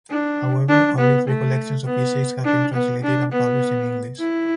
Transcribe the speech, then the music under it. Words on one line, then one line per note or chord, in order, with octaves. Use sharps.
However only three collections of essays have been translated and published in English.
D4
D4
B3
A3
B3
D4
B3
D4
B3
E4